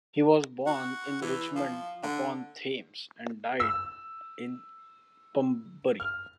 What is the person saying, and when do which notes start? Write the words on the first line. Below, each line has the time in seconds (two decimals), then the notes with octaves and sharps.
He was born in Richmond-upon-Thames and died in Pembury.
0.66 F#4
1.22 E3
1.55 F3
2.03 D3
3.60 E6
6.00 F6